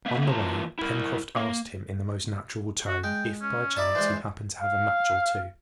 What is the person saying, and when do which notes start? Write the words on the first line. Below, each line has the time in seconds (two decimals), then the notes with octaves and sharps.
On the way, Pencroft asked him in the most natural tone, if by chance he happened to have a match or two.
0.06 A#3 B3 E5
0.26 E3 A#3 F4 A5 A#5
0.79 E4 A#4
1.36 A#3
2.87 F#4
3.04 G#3 G5
3.42 C#4
3.76 D#4 E4 D5 A5
3.95 E3 G#3 C5
4.61 F5